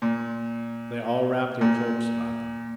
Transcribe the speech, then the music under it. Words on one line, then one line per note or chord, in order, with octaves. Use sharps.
They all wrapped their cloaks about them.
A#2
A#2